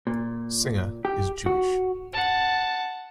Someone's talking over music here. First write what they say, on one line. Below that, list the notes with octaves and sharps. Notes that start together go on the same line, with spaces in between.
Singer is Jewish.
A#2
G4
F#4
F#5 A5